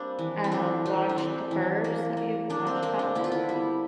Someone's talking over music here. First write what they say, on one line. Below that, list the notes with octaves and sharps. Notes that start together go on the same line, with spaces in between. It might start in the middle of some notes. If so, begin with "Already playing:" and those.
uh, watched The Burbs. Have you watched that one?
Already playing: G3 A#3 C4 D4
E3
C4
A3 D4
A3 C4
D4
E3 C4
E3
A#3
A#3
A#3 D4
C4
A#3 C4
D4
D3 E4
F4
E4
G3